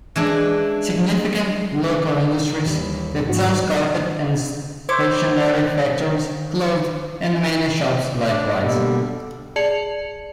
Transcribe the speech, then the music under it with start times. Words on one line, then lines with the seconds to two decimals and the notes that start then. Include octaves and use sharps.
Significant local industries, the town's carpet and stationery factories, closed, and many shops likewise.
0.16 E3 G#3 D4
2.65 D#2 E3 G3
3.26 F2 G#2 F#4
3.51 D#4 B4 D5
4.89 E4 C5 C#5 C6 D6 G6
8.29 D4
8.63 B2 D3 G3 A#3
9.56 G#4 D5 A5 G#6 C#7 F7